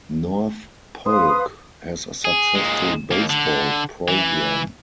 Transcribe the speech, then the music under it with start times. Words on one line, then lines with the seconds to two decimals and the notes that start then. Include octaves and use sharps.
North Polk has a successful baseball program.
1.06 B4 C5 F5 D#6
2.25 G#4
2.55 A#2 G#3
3.11 D#2 A#3
3.30 D3
4.08 E3